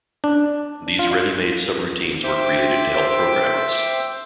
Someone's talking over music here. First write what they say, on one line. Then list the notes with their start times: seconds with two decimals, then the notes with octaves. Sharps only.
These ready-made subroutines were created to help programmers.
0.24 D4
0.99 F4
2.23 C5 E5 G5 D6